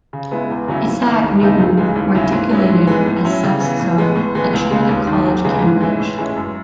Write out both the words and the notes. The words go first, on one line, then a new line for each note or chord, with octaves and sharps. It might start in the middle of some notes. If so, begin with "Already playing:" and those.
Isaac Newton matriculated as subsizar at Trinity College, Cambridge.
C#3
G#3 B3 E4
E2
C#3 F#3 C#4 E4
G#2
D#3 A3 E4
D#2
C#3 E3 A3 D#4
C#2
C#3 E3 G#3
D#2
C#3 F#3 C#4 E4
G#2
F#3 C#4 E4
G#2
E3 G#3 B3
A2
F#3 C#4 E4
C#3
E3 B3
A2
G#3 B3
A2
E3 G#3 B3
C#2
C#3 G#3
D#2
D#3 A3
E2
C#3 E3 G#3
G#2
E3 G#3 C#4 E4
A2
E3 G#3 C#4 E4
F#2